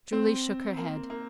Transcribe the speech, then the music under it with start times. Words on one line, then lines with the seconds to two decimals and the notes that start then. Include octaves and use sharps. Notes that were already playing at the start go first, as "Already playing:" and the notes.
Julie shook her head.
0.13 C4
0.77 A#3
1.10 A#3